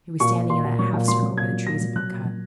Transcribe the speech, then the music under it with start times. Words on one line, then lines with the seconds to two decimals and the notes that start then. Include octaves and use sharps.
He was standing in that half-circle where the trees have been cut.
0.20 A#2 C#6
0.35 A#2
0.50 A#2 C6
0.64 A#2
0.79 F#3 C#6
0.94 A#2
1.08 F#3 C6
1.23 F#3
1.37 A#2 G#6
1.52 F#3
1.67 A#2 A#6
1.81 F#3
1.96 F#3 F#6
2.10 A#2
2.25 F#3